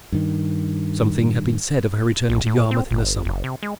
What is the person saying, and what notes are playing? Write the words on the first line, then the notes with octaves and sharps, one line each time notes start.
Something had been said of her returning to Yarmouth in the summer.
G2 D#3
B1
A2
C4
G1
F#1
C3
G#3